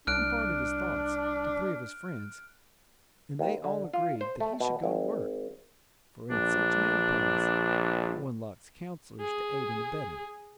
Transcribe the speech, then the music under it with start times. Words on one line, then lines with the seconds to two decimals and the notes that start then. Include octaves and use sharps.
He imparted his thoughts to three of his friends, and they all agreed that he should go to work, for in such an enterprise no one lacks counsellors to aid and abet him.
0.07 C2 D4 F6 F#6 D7
3.39 D#2
3.64 D3
3.94 F4
4.21 C5
4.40 A3
4.60 B2
4.84 G#1
6.31 A#1 D4
9.21 G#4